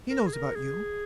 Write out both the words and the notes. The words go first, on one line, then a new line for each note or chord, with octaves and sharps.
He knows about you.
A#4
G#4
A#4
G#4